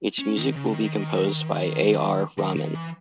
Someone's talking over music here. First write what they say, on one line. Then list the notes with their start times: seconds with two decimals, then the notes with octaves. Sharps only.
Its music will be composed by A. R. Rahman.
0.19 C#4
0.37 D#3
0.56 C#3
0.73 D#3
2.38 D#3
2.56 D#3
2.75 E3